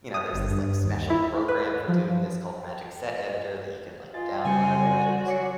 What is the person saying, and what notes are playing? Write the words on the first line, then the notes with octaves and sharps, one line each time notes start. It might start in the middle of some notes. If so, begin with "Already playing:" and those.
you know, there's this, like, special program for doing this called Magic Set Editor that you can, like, download and
D#6
G1
G2
D#2
E4
B4
F3
F4 D#5 G#5 A6
C#3 G3 C4 G#5 C#7
F#4 D5 A#6
F#3 C#5 D6 C#7